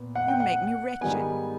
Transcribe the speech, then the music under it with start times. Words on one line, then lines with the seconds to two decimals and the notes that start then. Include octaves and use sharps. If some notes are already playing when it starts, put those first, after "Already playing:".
You make me wretched.
Already playing: A#2 B3
0.15 F#5
0.28 G5
0.40 F#5
1.01 G#2 D#3 G3 B3 G#5